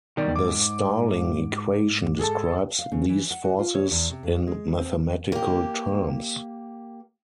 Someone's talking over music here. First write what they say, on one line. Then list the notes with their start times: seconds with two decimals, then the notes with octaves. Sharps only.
The Starling equation describes these forces in mathematical terms.
0.17 B2 D#3 G3 D5
0.36 G#2 D6
2.19 G#4 A4 A5
2.79 F5
2.92 C#3
3.09 E3
3.31 F#5
3.44 F#4
3.59 F4
3.75 C#5
3.91 E2
4.10 C3
4.23 F2
4.47 G#3
4.78 C4
5.32 A#3 G4